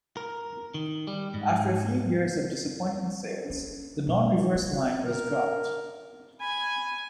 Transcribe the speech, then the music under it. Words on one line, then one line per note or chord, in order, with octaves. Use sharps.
After a few years of disappointing sales, the "non-reverse" line was dropped.
A#4
D#3
G3
G#2
C#4
B2
G3
A#4
G#5 B5